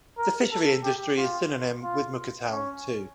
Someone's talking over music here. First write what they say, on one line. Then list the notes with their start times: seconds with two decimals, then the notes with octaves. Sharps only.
The fishery industry is synonym with Mukah town too.
0.18 A#4
0.52 A4
0.84 G4
1.18 F4
1.83 F4
2.50 C#4